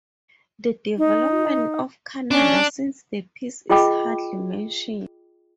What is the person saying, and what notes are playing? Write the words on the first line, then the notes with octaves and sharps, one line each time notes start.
The development of Canada since the peace is hardly mentioned.
D#4
C#4 D4
F4 G#4 D#5 G5 B5 D6